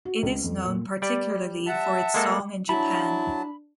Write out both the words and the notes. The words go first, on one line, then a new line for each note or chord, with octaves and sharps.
It is known particularly for its song in Japan.
F#4
C#2
F2
A#2
G3 D5
E5 F#5 A5
G#3 A#3 A4
F#3 D4 E4 A5 B5